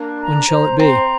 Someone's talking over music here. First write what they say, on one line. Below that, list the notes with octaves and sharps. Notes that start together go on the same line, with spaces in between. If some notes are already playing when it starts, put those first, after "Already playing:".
"When shall it be?"
Already playing: A#3 D4
A#5
C5
C4 A#5